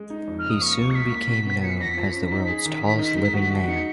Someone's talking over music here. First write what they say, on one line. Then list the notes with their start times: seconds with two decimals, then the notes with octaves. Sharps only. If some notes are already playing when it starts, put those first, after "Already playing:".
He soon became known as the world's tallest living man.
Already playing: G#3
0.10 D#4
0.27 F2
0.39 F6
0.44 C#3
0.50 D#6
0.61 A#3 C#6
0.78 C#2
0.90 C#7
0.95 A#3 B6
1.12 A#3
1.29 B2
1.47 B3
1.63 F3 C#7
1.72 B6
1.80 F2 A#6
1.89 B6
1.97 F3
2.14 C#4
2.31 D#4 B6
2.48 G#4
2.66 D#3
2.82 D#3
2.99 D#4
3.17 G#3
3.34 F#4
3.50 F#4
3.57 B6
3.67 D#4 C#7